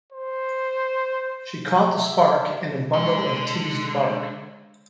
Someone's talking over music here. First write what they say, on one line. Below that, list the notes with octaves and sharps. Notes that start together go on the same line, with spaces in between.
She caught the spark in a bundle of teased bark.
C5
E5
D3 G#3